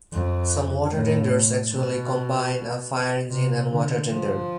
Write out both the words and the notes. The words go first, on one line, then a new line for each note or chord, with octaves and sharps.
Some water tenders actually combine a fire engine and water tender.
F2
A2
B2
C3
D3
F3